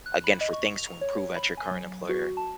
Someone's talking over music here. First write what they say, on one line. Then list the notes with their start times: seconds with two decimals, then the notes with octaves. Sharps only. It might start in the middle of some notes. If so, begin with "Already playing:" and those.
again, for things to improve at your current employer,
0.06 F#6
0.24 B5
0.41 D#5
0.53 C#6
0.78 F7
1.01 C#5
1.36 B5
1.57 G#5
1.71 F#3
2.09 F#4
2.37 A5